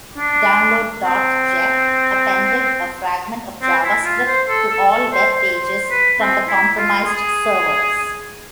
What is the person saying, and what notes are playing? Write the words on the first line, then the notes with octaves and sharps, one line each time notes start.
Download.ject appended a fragment of JavaScript to all web pages from the compromised servers.
D4
C4
C4
E4
F4
C5
A4
A4
A4
C5
C5
C5
B4
C4
E4
F4
G#4